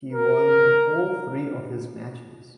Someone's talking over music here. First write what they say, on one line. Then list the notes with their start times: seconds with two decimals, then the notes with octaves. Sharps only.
He won all three of his matches.
0.13 A#4